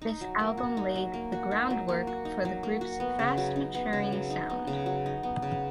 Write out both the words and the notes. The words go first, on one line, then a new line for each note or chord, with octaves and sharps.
This album laid the groundwork for the group's fast maturing sound.
D#4
F#3
A#3
F#4
D#4
F#3
A#3
F#4
D#4
F#3
A#3
F#4
D#4
F#3
A#3
F#4
B3
C#3
F#3
D#4
B3
C#3
F#3
D#4
B3
C#3
F#3
D#4
B3
C#3